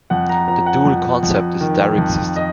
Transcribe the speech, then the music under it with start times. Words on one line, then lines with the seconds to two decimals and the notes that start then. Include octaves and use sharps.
The dual concept is a direct system.
0.10 F2 F#5
0.29 A#5
0.48 F3 A#5
0.66 F#5
0.86 F2
1.23 F2
1.61 D#3
1.98 F2
2.36 D#5